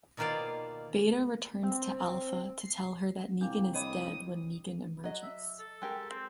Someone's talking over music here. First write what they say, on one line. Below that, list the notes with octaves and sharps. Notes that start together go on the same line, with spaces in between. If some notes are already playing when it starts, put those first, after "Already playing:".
Beta returns to Alpha to tell her that Negan is dead when Negan emerges.
B2 D#3 A#3 F4 C5 D5
C4
C7
C2 A#3 D4 G5
C#5 D#5 B5 D#6
F#3 D#5
E5
A4
G#3 G4 A#4
C4